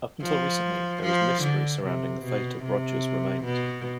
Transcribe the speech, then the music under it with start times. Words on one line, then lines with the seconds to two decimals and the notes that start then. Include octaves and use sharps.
Up until recently, there was mystery surrounding the fate of Roger's remains.
0.22 F3
1.02 F3
1.43 D3
1.84 C3
2.23 B2
2.64 C3
3.45 B2